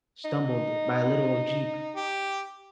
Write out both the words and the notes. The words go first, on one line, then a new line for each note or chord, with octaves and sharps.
stumbled by a little jeep,
D#4
G4